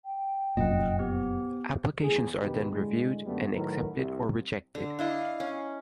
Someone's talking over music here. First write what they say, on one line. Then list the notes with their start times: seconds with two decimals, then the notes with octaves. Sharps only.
Applications are then reviewed and accepted or rejected.
0.05 G5
0.57 F1 F#2 A#2 D#5 F#5
0.99 B3 G4 C5
2.03 E2 A3 G#4
2.40 D2 B2 D#3 G4 B4
2.70 A2 D3 G#3
3.25 F#2 D3 G3 A3 B3
3.54 A2 D#3 F#3 A#4 B4
3.96 C2
4.75 D3
4.99 D4 E4 D#5 F5
5.40 C#4